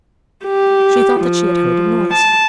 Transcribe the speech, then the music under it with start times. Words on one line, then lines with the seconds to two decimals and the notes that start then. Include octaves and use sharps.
She thought that she had heard a noise.
0.46 G4
1.21 F3
2.13 A5